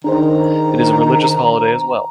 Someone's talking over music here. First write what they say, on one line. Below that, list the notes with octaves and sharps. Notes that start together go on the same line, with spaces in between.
It is a religious holiday as well.
D#3 D4 G#4 C5 A#5